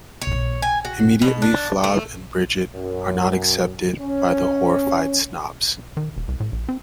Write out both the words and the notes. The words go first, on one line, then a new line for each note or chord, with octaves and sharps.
Immediately Flav and Brigitte are not accepted by the horrified snobs.
C#5
G#5
F#4
B2
D4
A3
F#2
C#4
D#3
E1
C2
A2
A#1
C4